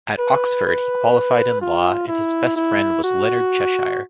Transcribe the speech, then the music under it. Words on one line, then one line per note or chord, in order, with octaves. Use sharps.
At Oxford he qualified in Law and his best friend was Leonard Cheshire.
B4
B4
F4
E4
E4
F#4